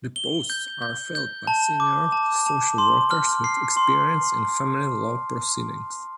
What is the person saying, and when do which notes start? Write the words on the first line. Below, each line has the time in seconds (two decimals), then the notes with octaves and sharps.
The posts are filled by senior social workers with experience in family law proceedings.
0.16 G7
0.50 G6
0.82 G6
1.15 G6
1.47 A5
1.80 D6
2.12 A5
2.46 A5
2.78 C6
3.11 F6
3.44 C7
3.77 C6